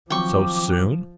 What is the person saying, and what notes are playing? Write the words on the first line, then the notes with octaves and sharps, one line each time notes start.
"So soon?"
D#3 F3 F#3 C4 G5 C#6 D6